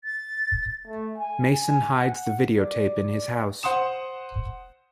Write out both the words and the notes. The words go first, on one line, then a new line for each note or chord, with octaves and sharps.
Mason hides the videotape in his house.
A6
A3
G#5
G#5
F#5
D5
C5 F#5 C6 D#6 E7